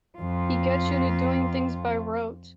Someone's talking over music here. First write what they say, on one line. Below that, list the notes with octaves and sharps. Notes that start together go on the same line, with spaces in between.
He gets you into doing things by rote.
F2 F4